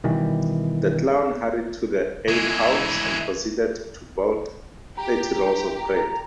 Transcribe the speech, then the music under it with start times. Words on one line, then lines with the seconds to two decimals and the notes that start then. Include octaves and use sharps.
The clown hurried to the alehouse and proceeded to bolt thirty rolls of bread.
0.04 B2 D#3 E3 G3
2.28 E3 G#3
4.97 G4 A#5